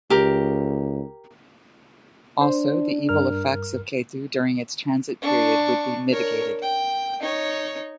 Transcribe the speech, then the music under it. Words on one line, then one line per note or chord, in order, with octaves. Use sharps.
Also the evil effects of Ketu during its transit period would be mitigated.
C#2 G4 A#4
D4 C5
G2 A#4 F6
D4 C#6
A#4 C#5
G5
D#4 C#5